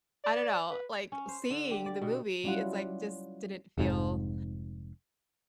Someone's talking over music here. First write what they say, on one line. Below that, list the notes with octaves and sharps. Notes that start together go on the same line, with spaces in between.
I don't know, like, seeing the movie, it's like, just didn't feel,
D5
B4
C#4
C5
D3
G4
D5
B2
F#3 G3 C#4 E4 F4 F#5
F1 F2 G#2